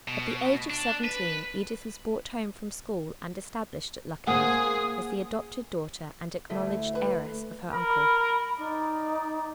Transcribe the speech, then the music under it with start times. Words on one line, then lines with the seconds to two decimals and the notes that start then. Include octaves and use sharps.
At the age of seventeen Edith was brought home from school and established at Luckenough as the adopted daughter and acknowledged heiress of her uncle.
0.08 B2
0.70 D4
1.05 B4
4.27 A#3 G#4 C5 F#5 D#6
6.50 D2 A3 E4
6.95 B4
7.72 A#4 B5
8.58 D#4 D5